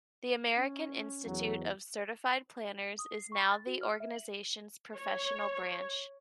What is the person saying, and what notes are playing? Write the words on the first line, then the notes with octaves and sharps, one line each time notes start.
The American Institute of Certified Planners is now the organization's professional branch.
C#4
E2 F#3
D#6
C7
C#6
A6
F#4
F6
E5
F#7
C#5